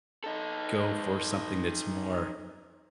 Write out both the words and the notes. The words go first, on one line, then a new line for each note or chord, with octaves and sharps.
go for something that's more
D#4 A4